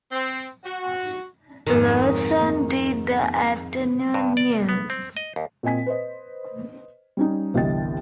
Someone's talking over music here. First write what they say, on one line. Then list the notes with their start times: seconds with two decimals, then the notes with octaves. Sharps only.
Larson did the afternoon news.
0.12 C4
0.64 F#4
1.67 F2 G#2 D#3
4.14 G2
4.37 D5
4.69 B3
4.90 C4
5.17 D#5
5.36 D#2
5.63 A#2 C4 D#5 G#5 B6
5.86 B4 C5 D#5
7.17 G3 C#4 D#4
7.54 G1 C2 E3 D#5 G5 A6